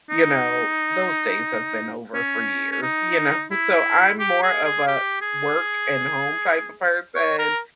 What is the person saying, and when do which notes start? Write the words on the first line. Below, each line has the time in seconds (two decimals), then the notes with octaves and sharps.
you know, those days have been over for years, you know? So, I'm more of a work and home type of person,
0.10 D#4
2.14 C#4
2.72 C#4
2.82 D#4
3.51 E4
4.19 G4
4.43 G#4
4.65 G#4
4.88 G4
5.21 G#4
7.16 C#5
7.39 A#4